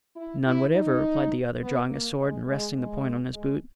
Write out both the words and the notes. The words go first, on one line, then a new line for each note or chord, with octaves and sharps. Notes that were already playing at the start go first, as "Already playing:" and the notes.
"None, whatever," replied the other, drawing his sword and resting the point on his boot.
E4
E4
D#4
B3
A#3
G#3
G#3
G#3
G#3